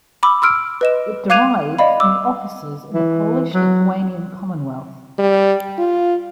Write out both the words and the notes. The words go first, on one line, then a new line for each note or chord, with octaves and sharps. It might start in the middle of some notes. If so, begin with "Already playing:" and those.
It derived from the offices in the Polish-Lithuanian Commonwealth.
B5 D6 E6
C6 E6 F6 D7
B4 D#5 E7
F5 D6 F#6 G#6 D#7 F7
D5 D#5 F5 B5
D6 E6
E3
F#3
G3
F4